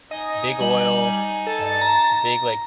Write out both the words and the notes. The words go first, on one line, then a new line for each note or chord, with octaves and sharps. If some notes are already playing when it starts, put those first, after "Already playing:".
big oil, um, the big, like,
D#4 D#5 G#5 D#6
G3 F#7
A4 A5
A#5 A#6